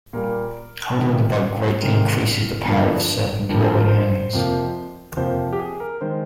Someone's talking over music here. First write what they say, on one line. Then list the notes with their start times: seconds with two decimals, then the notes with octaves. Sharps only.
Holding the bug greatly increases the power of certain drawing hands.
0.13 A#2 G3 A#3 A#4
0.98 C3 D#3 G#3
1.81 C3 D#3 G#3 A#4
2.65 G2 D3 F3 A#3
3.49 G2 D3 F3 A#3
3.62 C5
3.76 A#4
3.88 C5
4.33 F2 C3 F3 A#3
5.17 F2 C3 F3 A#3 C5
5.53 G4
5.59 G#4
5.80 A#4
6.01 D#3 G#3 C5